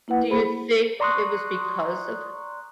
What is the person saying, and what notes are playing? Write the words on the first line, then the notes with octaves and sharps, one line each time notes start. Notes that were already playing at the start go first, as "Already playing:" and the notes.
Do you think it was because of
A#3 E4 B4 F#5
G#4 C5 B5
D5 A#5 C6 C#6 D#6 F#6